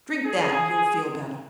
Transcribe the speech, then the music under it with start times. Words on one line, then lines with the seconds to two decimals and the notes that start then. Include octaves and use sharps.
"Drink that and you'll feel better."
0.25 G#4